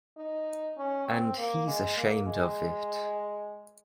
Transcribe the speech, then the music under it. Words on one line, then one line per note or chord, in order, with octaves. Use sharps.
And he's ashamed of it.
D#4
C#4
C4
A#3
G#3
A#3
G#3